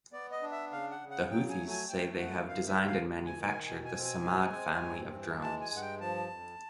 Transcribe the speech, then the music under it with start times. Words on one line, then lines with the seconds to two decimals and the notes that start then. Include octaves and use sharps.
The Houthis say they have designed and manufactured the Samad family of drones.
0.12 B3 D5
0.32 D#5
0.42 D4
0.52 E5
0.71 C#3 F5
0.91 F#5
1.01 C#3
1.11 F#5
1.30 F#3 G5
1.50 G#5
1.60 A3
1.70 G#5
1.89 A3 G5
2.18 F#2 F#5
2.48 D2 F5
2.67 E5
2.77 D2
2.87 F5
3.07 D2
3.26 G#5
3.36 D#3
3.46 G#5
3.65 B2 G#5
3.85 G#5
3.95 C4
4.04 G#5
4.24 G#3
4.54 C4
4.83 G2
5.13 E3
5.42 G#3 A5
5.61 G#5
5.71 G2
5.76 F#5
5.82 G5
6.00 F3 A5
6.30 F2